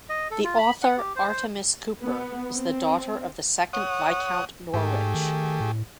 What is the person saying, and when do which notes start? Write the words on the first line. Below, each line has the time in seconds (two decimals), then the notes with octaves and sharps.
The author Artemis Cooper is the daughter of the second Viscount Norwich.
0.09 D#5
0.31 A4
0.44 F4
0.58 B5
0.82 F#5
0.97 G4
1.16 C5
1.29 C5
2.02 B3
2.55 C4
3.73 C#5 F#5 D#6
4.74 G#2 A3 G4 G#4
5.15 D#3
5.60 A2